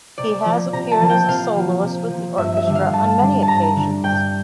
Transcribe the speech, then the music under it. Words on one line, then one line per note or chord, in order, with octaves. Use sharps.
He has appeared as a soloist with the orchestra on many occasions.
C3 D5
F3 A#3
C3 A#5
A5
F3 A#3
G5
C3 F5
F3 A#3
C3
F3 A#3
G2 E5
E5
D3 G3 D4
F5
G2 A5
D3 G3 D4
A5
G2 A#5
D3 G3 D4
G2 G5